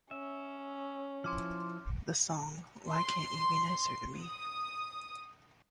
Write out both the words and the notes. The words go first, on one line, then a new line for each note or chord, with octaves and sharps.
The song Why Can't You Be Nicer to Me?
C#4 E5
F3 E4 C6 D6 F6
C6
D#6